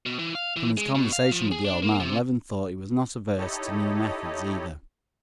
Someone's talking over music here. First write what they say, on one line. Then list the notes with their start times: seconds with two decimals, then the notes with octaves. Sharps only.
From his conversation with the old man, Levin thought he was not averse to new methods either.
0.06 B2
0.19 E3
0.35 F5
0.56 E3
0.77 G#3
0.95 B2
1.13 F5
1.32 F3
1.51 G#4
1.65 D4
1.83 A#3
2.00 C3
3.36 D#4 E4 G4 A4 C#5 D#5